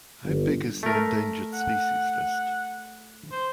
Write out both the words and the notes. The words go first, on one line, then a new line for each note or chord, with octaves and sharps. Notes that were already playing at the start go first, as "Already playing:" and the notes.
How big is the Endangered Species List?
G1
A3 A#4
F#5
C5